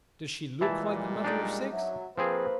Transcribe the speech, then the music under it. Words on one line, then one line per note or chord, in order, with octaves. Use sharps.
'Does SHE look like the mother of six?'
A#2 E3 G3 G#3 E5 A5
D4 D#4 D5
F#3 E5
F3 A#3 C4 G#4 B4 C5